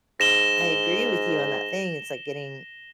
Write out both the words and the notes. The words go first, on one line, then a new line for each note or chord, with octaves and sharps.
I agree with you on that thing, it's like getting,
G#2 A#6 E7 G7